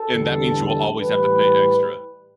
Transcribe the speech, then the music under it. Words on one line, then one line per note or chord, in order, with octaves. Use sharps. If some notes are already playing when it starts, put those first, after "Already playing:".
and that means you will always have to pay extra.
Already playing: A4
E2 D3 G3
A2 E3 G3 B4